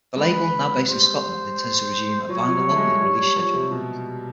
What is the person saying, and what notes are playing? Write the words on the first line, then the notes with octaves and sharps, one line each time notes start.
The label, now based in Scotland, intends to resume a vinyl-only release schedule.
G#3 B4
G3 C5
F#3 C#5
F#3
G3
A3
G#3
G3
G3
F3
C3
B2